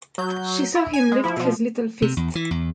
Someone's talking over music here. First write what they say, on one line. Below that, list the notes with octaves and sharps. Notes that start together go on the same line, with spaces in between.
She saw him lift his little fist.
F#3 G6
E4
G#5
G#3
F3 E4
B2 F3
C3
E2
E3
E2